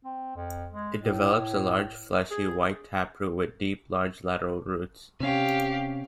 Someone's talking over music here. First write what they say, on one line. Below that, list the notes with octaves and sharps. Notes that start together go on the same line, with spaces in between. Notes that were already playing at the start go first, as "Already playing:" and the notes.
It develops a large, fleshy, white taproot with deep large lateral roots.
C4
F2
G#3
A2
G#4
C3 C#4 G4 F5